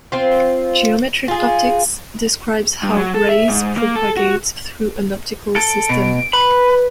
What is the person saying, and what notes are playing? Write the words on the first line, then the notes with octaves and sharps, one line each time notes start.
Geometric optics describes how rays propagate through an optical system.
C4 F4 C5
F4 G#4
G2
F#3
A4
E5
G#2
A#3
A4
F#4
A4 D7
B2
B4 B5